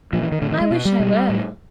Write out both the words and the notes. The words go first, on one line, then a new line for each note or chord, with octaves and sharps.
I wish I were.
A#2 F3
E3
D#3
A2 D3
D#3
G#3
B2
G3
B2
A2